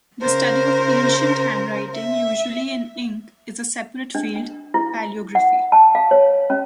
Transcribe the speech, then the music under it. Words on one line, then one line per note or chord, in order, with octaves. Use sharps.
The study of ancient handwriting, usually in ink, is a separate field, palaeography.
C#3 A#4 C5
E5
D4
D4
E4
F#5
A5
F5
C#5
C#4